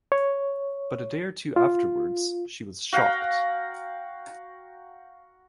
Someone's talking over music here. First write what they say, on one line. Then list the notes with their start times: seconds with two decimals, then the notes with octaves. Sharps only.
But a day or two afterwards she was shocked.
0.12 C#5
1.56 F4
2.93 F#4 F5 G5 A#5